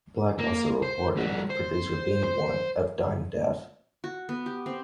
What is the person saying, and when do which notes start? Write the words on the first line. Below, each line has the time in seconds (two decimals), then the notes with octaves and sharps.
Black also recorded with producer Bean One of Dyme Def.
0.39 A#3
0.82 C5
1.17 G3 F#4
1.50 C5
2.24 C5
4.04 F#4
4.29 B3
4.46 G4
4.66 C4